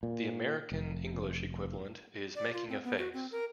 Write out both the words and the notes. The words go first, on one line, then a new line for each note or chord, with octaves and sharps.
The American English equivalent is "making a face".
A#2
F1
D5
F4
C4
B3
F#4
C4
A#4